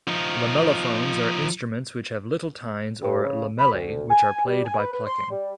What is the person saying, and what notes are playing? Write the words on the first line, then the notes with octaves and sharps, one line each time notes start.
Lamellophones are instruments which have little tines, or "lamellae", which are played by plucking.
F3 D#4
G2
C#3
B5
D2
G#5
G3
G#5
B4
B4
C6
G3